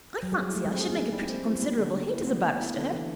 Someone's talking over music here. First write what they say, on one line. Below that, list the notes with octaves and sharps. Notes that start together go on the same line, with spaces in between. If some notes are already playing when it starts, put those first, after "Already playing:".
'I fancy I should make a pretty considerable hit as a barrister.'
F#3
G3 G#4
E4
A3
G#3 C4
G#4
A#3
A3 C4
G3
C4
E4
B3
G3 A#3
D3
D3
E4
A#3
A3 B3
B3
E4
D3
E3